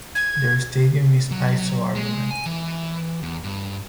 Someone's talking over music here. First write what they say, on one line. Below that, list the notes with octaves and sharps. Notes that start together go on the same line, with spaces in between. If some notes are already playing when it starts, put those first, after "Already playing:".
Their stadium is Izo Arena.
G#6
F#3
G#3
G#5
E3
E2
G2